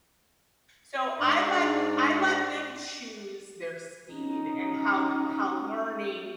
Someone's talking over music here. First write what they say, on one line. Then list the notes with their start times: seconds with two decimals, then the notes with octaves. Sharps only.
So, I let I let them choose their speed and how the how learning
1.19 G#2 D4 D5
4.11 C#4 D#4